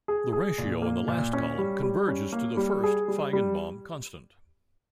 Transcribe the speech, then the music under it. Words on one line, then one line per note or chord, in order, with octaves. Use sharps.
The ratio in the last column converges to the first Feigenbaum constant.
G#4
G#4
A#2
A#3
A#2
C#4
G3
G3
C#4
A#3
G3
G#4
G3
G3